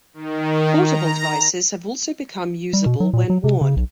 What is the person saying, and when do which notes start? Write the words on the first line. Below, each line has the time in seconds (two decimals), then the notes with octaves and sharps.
Portable devices have also become usable when worn.
0.14 D#3
0.81 A#5
2.73 G3
2.86 B2
3.00 F#3
3.13 A#2
3.30 F#3
3.44 C3
3.61 C#3
3.76 B1